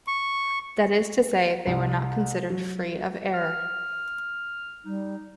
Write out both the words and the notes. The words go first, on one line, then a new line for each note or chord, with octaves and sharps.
That is to say they were not considered free of error.
C#6
C2
F#3
F6
G3 D#4